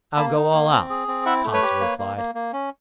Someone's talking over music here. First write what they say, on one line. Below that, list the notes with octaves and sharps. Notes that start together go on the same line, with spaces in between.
"I'll go all out," Conseil replied.
A#3 A5 B5
D#4
A#3
C4
G#4
C4
E4 E5 F#5
A3
B4 C#5
G4
A#3
A#3
A#3
A#3
C#4